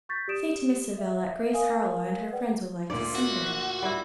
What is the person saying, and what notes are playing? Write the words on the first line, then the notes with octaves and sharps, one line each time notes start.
"Say to Miss Savell that Grace Harlowe and her friends would like to see her."
C#6 G6 A6 B6
G4 D5 D#6 D7 E7
E5
A#4 F5 G#5 D#6
B4 D5 F#5 G5
D2 A#2 D5
F#4
G3 E4